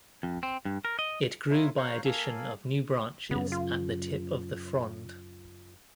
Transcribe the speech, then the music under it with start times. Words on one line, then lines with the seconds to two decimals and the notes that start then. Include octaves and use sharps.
It grew by addition of new branches at the tip of the frond.
0.23 F2
0.43 C4
0.65 G2
0.85 A#4
0.99 D#5
1.50 E4 F4 A#4 C#5 E5 C6
1.77 C5 C#5 F5 A#5 C#6 F#6
2.04 A#3 A4 A#4 F5 G#5
3.31 F#2 C#3 B3
3.52 F4